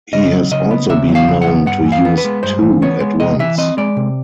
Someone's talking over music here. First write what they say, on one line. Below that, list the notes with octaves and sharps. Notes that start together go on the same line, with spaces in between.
He has also been known to use two at once.
C#3 D#5
F#3
C#3 D#5
B3
C#3 E5
F#3
F5
C#3
F#5
B3
G2 F#5
E3
F5
B3
B4
G#3
G2 C5
E3
B3 C#5
G#3
C3 D#5
E3 E5
C4 D#5
G#3 D5
C3